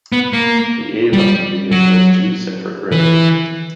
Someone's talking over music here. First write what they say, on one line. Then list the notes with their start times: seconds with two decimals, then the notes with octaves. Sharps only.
The Avon begins as two separate rivers.
0.12 B3
0.33 A#3
1.13 G3
1.71 F#3
2.92 E3